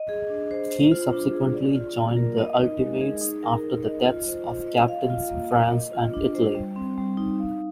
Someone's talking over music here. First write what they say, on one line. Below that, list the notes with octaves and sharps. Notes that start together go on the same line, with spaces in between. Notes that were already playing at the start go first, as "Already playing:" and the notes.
He subsequently joined the Ultimates after the deaths of Captains France and Italy.
Already playing: D#5
G#4
D4
C5
C5
F4
D4
G#4
D5
F4
A#3
A#4
D#5
D#4
G#3
G#4
D#4
A#4
D#4
D#5
F4
C5
F4
D#5
F5
F4
A#3
A#4
D#5
F4
D4
C5
G3
C4
G3
D#4
F5